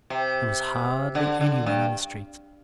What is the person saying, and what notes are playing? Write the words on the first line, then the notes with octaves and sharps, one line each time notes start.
There was hardly anyone in the streets.
C3
D3
D3
G2